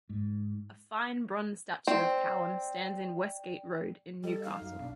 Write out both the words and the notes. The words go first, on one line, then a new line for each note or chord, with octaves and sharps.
A fine bronze statue of Cowen stands in Westgate Road in Newcastle.
G#2
C4 D5 G5
G3 A4 D#5
D#4 F5
F#2
B1 D4